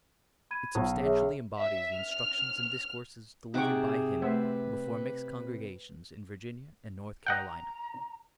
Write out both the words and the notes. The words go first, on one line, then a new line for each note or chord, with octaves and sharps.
It substantially embodies the instructions and discourses delivered by him before mixed congregations in Virginia and North Carolina.
B5 G#6 D#7
B1
G#4 C#5 E5
E5
F6
C3 D#4 G#4 F#5 G5 C#6 D6
A3 B4 C5 E5
D#5 F#5 G5 A#5